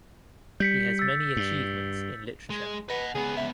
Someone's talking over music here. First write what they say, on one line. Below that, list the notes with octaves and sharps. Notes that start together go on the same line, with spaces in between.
He has many achievements in literature.
G3 G6 B6 C#7
E6 A6
G2
G#3
B4 D#5 F#5
C#2 B3 G#4
E5